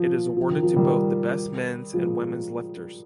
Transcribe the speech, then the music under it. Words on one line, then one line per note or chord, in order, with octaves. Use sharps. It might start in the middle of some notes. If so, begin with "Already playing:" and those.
It is awarded to both the best men's and women's lifters.
Already playing: D#3 F3
F3
D#3
F3
D#3 G3
F3 G#3